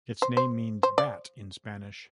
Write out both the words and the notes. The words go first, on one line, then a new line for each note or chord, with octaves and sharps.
Its name means bat in Spanish.
C5
C5
C5
D5